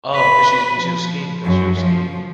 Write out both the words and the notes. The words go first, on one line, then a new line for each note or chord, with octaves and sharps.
Oh, 'cause she's she was skiing 'cause she was skiing?
B4
F3
F#2
F3